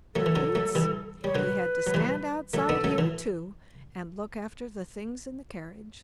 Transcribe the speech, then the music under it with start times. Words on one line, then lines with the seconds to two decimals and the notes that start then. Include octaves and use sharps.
But Boots, he had to stand outside here too, and look after the things in the carriage.
0.15 F#3 A3 A4
0.26 E3
0.35 D3 F#3
0.55 F#3 A3
0.75 E3 G3
1.23 G3 C#5
1.35 D3 F#3 B4
1.87 F#3
1.94 E3 G3
2.54 F#3 A3 A4
2.69 B3 D4
2.84 F#3 A3
2.98 E3